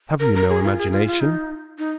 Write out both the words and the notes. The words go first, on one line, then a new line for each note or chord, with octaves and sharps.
Have you no imagination?
A#4
A#4
G#4
F4
G#4
F4
F4
D#4
D#4